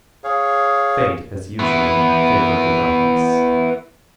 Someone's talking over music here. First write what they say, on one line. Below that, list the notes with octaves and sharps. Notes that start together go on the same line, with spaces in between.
Fate, as usual, favoured the dauntless.
G#4 C#5 F5
B3 E4